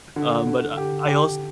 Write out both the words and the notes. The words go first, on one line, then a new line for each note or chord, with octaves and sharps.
um, but, uh, I als
D3
D3
G4
G4